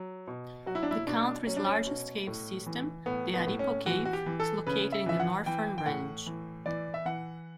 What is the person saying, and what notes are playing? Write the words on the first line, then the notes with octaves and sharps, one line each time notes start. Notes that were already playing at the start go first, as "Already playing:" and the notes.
The country's largest cave system, the Aripo Cave, is located in the Northern Range.
Already playing: F#3
B2
F#3 F#4
E4
D4
E4
B2 D4
F#3 C#4
D4
C#4
B2
A2
E3
A2 B3
B3
A2
C#4
E3 F#4
F#4
G4
E3
A4
C#3 B4
E5
E3 E5
F#5
E3 G5
G5
A2 F#5
E3
E3 D5
E5
E3 F#5